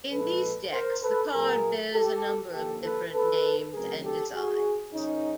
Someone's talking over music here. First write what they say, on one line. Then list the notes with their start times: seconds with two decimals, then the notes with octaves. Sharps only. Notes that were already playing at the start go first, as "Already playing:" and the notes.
In these decks the card bears a number of different names and designs.
0.12 A#2 F3 G#3 A4 B4
0.73 A#4 C5
1.02 A4 B4
1.32 A#2 F#3 A#3 G#4 A#4
1.93 G4 A4
2.53 D#2 D3 F3 A#3 G4 A4
2.83 A4 B4
3.13 A4 B4
3.73 F#2 C#3 F#3 A3 C4 G#4 A#4
4.03 G4 A4
4.34 F#4 G#4
4.93 G#2 D#3 G#3 C#4 D#4